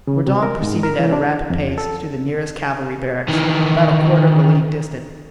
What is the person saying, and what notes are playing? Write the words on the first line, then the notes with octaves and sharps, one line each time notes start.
Mordaunt proceeded at a rapid pace to the nearest cavalry barracks, about a quarter of a league distant.
C#3
C3
A#4
G#2
A#4
E3
D4
F2
A4
D#3 E3